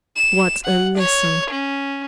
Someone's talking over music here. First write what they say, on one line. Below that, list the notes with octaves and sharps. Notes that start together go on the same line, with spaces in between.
What a lesson!
E7
F#5
C#5
C#4